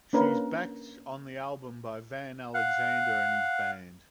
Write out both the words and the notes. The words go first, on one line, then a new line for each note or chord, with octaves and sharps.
She is backed on the album by Van Alexander and his band.
A#3 C#4 D4 A#4 B4
F5 F#5